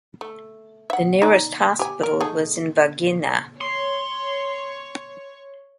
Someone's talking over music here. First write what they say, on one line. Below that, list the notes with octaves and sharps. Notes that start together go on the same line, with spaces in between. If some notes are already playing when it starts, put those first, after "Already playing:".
The nearest hospital was in Varginha.
A3
E5 F#5
D#4 D5
G4 G#5
A#4
A3 D#4 G#4
C#5 C6